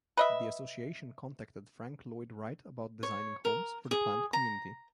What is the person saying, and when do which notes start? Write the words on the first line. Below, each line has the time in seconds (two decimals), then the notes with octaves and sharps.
The association contacted Frank Lloyd Wright about designing homes for the planned community.
0.17 B4 D#5 E5
3.03 C#5
3.45 A#4
3.91 G#4
4.33 A#5